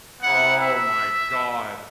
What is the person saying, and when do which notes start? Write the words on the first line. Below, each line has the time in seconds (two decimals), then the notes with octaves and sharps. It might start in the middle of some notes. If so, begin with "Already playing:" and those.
Oh, my god.
0.21 B3 E4 F#5
0.58 E5